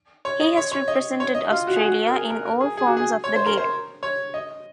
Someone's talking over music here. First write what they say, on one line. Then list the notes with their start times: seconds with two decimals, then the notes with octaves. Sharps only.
He has represented Australia in all forms of the game.
0.25 C#5
0.40 D#5
0.57 C#5
0.72 C#5
0.88 D#5
1.20 C#5
1.35 D#5
1.51 F4
1.67 F#4
1.76 G#4
1.86 F#4
2.07 A#4
2.13 G#4
2.30 A#4
2.46 A#4
2.61 G#4
2.77 G#4
2.87 F#4
2.97 G#4
3.24 C#5
3.36 C5
3.46 A#4
3.57 C5
4.03 C#5
4.34 D#5